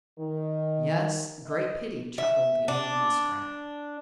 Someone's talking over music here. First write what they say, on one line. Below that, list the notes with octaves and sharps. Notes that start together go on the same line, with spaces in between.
"Yes, great pity," chuckled the old Muskrat.
D#3
D#5
E5
D4